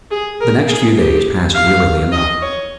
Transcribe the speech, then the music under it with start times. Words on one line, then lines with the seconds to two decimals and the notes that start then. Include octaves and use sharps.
The next few days passed wearily enough.
0.11 G#4
0.40 A#4
0.68 G#4
0.98 G4
1.54 F5
2.12 D#5
2.41 C#5